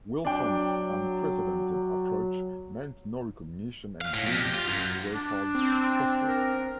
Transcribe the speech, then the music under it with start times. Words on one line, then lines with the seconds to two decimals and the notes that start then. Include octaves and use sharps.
Wilson's unprecedented approach meant no recognition and doomed Huerta's prospects.
0.25 F#3 D4 G5
4.01 F5
4.14 A2
4.26 F2
4.40 G4
4.54 F4
4.69 F#2
5.13 D4
5.55 C4
6.27 A#4